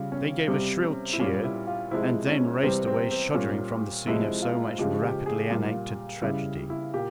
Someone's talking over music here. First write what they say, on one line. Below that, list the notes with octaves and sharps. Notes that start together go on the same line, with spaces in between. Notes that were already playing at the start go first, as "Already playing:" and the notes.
They gave a shrill cheer, and then raced away shuddering from the scene of so much rapidly enacted tragedy.
Already playing: C#3 G3 F4
C#4
C3 G3 C4
C#4
E4
A#2 G3 C#4
E4
F4
C3 F3 G#3 E4
C#4
C3 E3 G3 C4
C4
C4
A#2 G3 C#4
C3 F3 G#3 E4
F4
C#3 F3 G#3 G4
G4
G#4
A#2 G3 F4
C#3 G3 E4
E4
A#2 G4